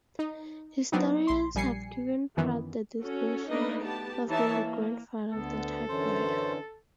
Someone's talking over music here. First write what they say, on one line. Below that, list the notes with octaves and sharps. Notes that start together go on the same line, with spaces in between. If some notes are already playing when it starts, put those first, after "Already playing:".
Historians have given Pratt the designation of being the "grandfather" of the typewriter.
D#4
F#3 B3 C4 D4 D#4
A#1 C6
A#1 G3 G#5 C7 C#7
F#2 D#3 E3 B3
C#4 F#4 A4
A3 A#3 D4 D#4 B4 D#5
B3 G4 A5
E3 D#4 E4 C#5 E5 A5
A#3
D2 D3 B3 A4
F#2 D3 E3 C#4 C5